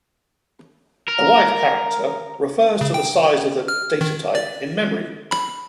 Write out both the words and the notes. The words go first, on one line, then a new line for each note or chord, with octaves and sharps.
A wide character refers to the size of the datatype in memory.
A#4
C#3
G5
F6
D#3
D5
B5